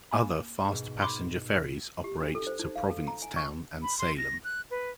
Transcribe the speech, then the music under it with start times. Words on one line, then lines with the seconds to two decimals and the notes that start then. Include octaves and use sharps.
Other fast passenger ferries operate to Provincetown and Salem.
0.11 A#3 G#5 B5
0.67 G#2 B2
1.01 B5 C6 D6
2.04 G4
2.20 D4
2.35 A4
2.47 C5
2.59 D#4
2.76 F5
2.90 A4
3.08 A#5
3.22 G#5
3.36 C#6
3.83 B5
3.99 C6
4.18 A#6
4.44 F#6
4.71 B4